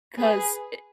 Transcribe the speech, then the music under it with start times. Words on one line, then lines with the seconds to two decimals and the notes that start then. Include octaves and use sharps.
'cause, eh,
0.18 G#4 B4